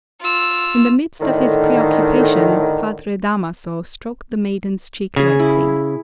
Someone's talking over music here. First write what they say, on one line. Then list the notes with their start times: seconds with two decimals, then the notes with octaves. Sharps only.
In the midst of his preoccupation Padre Damaso stroked the maiden's cheek lightly.
0.21 F4 E6
1.21 A2 D3 D#3
5.16 C#3 G#4 G#5
5.39 E4